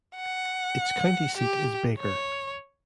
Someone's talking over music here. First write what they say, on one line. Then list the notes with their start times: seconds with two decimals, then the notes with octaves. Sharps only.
Its county seat is Baker.
0.17 F#5
1.37 G4
2.00 C#5